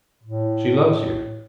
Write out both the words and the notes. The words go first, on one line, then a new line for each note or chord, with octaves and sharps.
She loves you.
A2